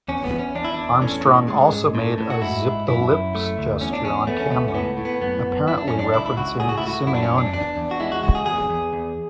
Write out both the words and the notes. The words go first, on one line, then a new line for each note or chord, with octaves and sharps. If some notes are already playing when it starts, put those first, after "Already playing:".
Armstrong also made a "zip-the-lips" gesture on camera, apparently referencing Simeoni.
E2 C#4
B3
E2
C#4
E2 D4
E4
E2 D4
A2 C#4
A2
G#3
G#2
A2
A2
F#4
G#2 E4
G#2
F#2 E4
F#2
A3
D2
E2 C#4
D4
E2 C#4
A3 B3
C#4
C#2 B3
C#4
A2 B3
A2
B3
F#2 B3
F#2
F#2 E4
D4
F#2 C#4
D4
C#2 E4
E4
C#2 F#4
A2 G#4
F#4
E4
A2 F#4
F#2 E4
D4
C#4
F#2
D4
E2 D4
E2
F#4
G#3 E4
F#4
C#2 F#4
G#4
E2 G#4
E2
E2